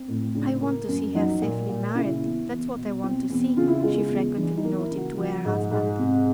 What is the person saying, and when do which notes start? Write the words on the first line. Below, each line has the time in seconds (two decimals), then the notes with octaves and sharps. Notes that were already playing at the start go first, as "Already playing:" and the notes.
"I want to see her safely married--that's what I want to see," she frequently noted to her husband.
Already playing: C4
0.08 A2
0.35 C#3 D4
0.62 A#3
0.88 F#2
1.15 F#3 D#4
1.42 A#2
1.69 A#2
1.95 C#3 E4
2.22 E2
2.49 E2
2.76 B2
3.03 C4
3.30 E2
3.57 C#3 F4
3.68 E4
3.79 G#3 F4
4.10 E2
4.37 E3 D4
4.57 D#4
4.65 A#3
4.77 E4
4.91 C#3
4.97 F#4
5.17 F3 F#4
5.45 G#2
5.71 G#2
5.99 C3